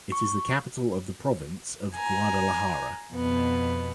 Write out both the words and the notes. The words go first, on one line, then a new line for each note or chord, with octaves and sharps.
It is the capital of the province of Guadalajara.
C#6
G#5 A#5
F2 B2 B3